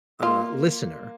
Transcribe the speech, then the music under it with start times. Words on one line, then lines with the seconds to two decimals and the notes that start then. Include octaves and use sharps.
uh, listener?"
0.23 A#3 F4